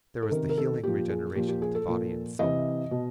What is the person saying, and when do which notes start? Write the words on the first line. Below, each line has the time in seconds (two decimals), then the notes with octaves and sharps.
There was the healing regeneration to body and soul.
0.23 A4
0.31 C3 D#3 A#4
0.49 A#4
0.58 A4
0.84 A#2 F3 G4
1.09 G#4
1.35 A#2 F3 G4
1.49 G4
1.62 G#4
1.75 A4
1.87 A#2 F3
2.39 C3 E3 D#5
2.91 B2